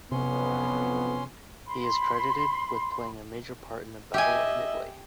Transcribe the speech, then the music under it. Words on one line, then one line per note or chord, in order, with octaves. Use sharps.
He is credited with playing a major part in the Battle of Midway.
B1 F2 C3 B3 C#4 C6
B5 C6
G4 D#5 E5 G#5